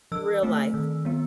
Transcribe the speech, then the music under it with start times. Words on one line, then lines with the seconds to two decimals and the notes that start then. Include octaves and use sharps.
Real life.
0.12 E3 E6
0.43 A3 C4
0.74 D#3
1.05 G3 B3